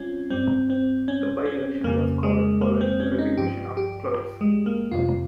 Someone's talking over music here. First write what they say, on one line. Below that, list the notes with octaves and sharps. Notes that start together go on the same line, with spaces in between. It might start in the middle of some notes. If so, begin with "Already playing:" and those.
The by-election was called following the resignation of Cllrs.
Already playing: G3 C4 C#4 F4
G2 G3 C4
C4
C#4
C#4
F2 C#3 G3 A#3
G#3
A#3
C4
C#4
D#4
G2 F3 G4
G4
G#3
A#3
F2 C3 G3 F4